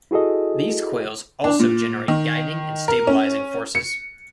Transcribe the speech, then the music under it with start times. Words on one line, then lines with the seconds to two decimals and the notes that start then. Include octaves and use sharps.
These coils also generate guiding and stabilizing forces.
0.11 E4 F#4 G#4 A4 D#5
1.44 D4
1.59 A#2
2.08 D#3
2.88 A#4
3.07 C#4
3.75 C#7